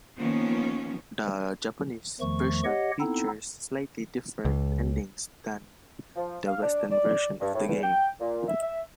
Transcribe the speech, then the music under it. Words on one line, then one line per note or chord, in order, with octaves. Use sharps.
The Japanese version features slightly different endings than the western version of the game.
D#3 F3 A#3 B3 C#4
E2 D#3 F3 A3 C#6
G4 C#5 D#5 F#5
B3 C4 D#4 E4 A4
C#2
F3
F5
D4
D5
G2
A2
E2
G5
A#2
E5
E5